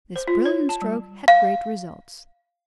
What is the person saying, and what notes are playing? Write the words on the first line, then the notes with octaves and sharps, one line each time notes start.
This brilliant stroke had great results.
C5
F4
C#5
A5
G3
F5